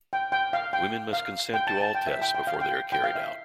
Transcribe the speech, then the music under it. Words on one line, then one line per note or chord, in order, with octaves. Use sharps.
Women must consent to all tests before they are carried out.
G5
G5
F5
G5
F5
G5
A5
A5
G5
E5
G5
G5
F5
G5
G5
F5
E5